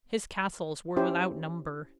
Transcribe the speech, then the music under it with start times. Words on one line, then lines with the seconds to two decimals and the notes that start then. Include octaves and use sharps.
His castles were without number.
0.96 C#4 E4 G4 C5